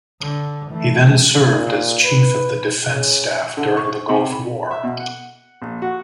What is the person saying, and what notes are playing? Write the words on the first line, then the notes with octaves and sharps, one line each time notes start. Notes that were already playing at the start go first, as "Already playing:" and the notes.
He then served as Chief of the Defence Staff during the Gulf War.
D3
E3 A3
A#2
B4
C#3
D3
C#6
C3
B5
E5
B2
F#5
A#1
F#4